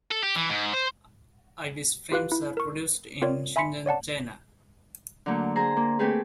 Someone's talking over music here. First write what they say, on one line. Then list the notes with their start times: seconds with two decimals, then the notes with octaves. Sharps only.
Ibis frames are produced in Shenzhen, China.
0.11 A4
0.23 G4
0.36 E3
0.50 G#2
0.74 C5
2.12 F4 G4 B4 F5 F#6
2.32 E4
2.57 A#4 C#6
3.22 C4 F4 A#4 C#5 D5
3.56 E5 G#5 B5 C6 B6 C#7
3.86 C#5 D5 F#5 A5
5.26 D3 F#3 A3 A#3
5.56 G#4 C5 A#5
5.77 A#3
5.99 A3 A#3 C4 G4 G#4 B4